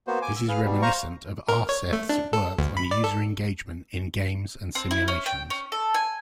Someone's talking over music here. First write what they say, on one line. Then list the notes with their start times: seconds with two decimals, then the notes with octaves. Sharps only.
This is reminiscent of Aarseth's work on user engagement in games and simulations.
0.07 A#3 B3 F#4 C5
0.22 G#5 D6
0.36 E6
0.49 G#4 B4 F5 F6
0.64 B2 G3
0.82 C5 F5 A#5 C#6
1.48 A#4
1.69 C#5
1.93 A3
2.09 D4
2.33 A4
2.58 D2
2.77 B5
2.91 D5
3.04 A4
4.75 C4
4.91 E4
5.08 C#4
5.26 G5
5.50 C#4
5.72 A4
5.94 G#5